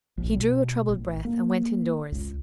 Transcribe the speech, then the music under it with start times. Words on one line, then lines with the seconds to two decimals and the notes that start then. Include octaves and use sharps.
He drew a troubled breath, and went in-doors.
0.18 A#1
0.36 B2
0.89 A1
1.25 A#3
2.12 C#2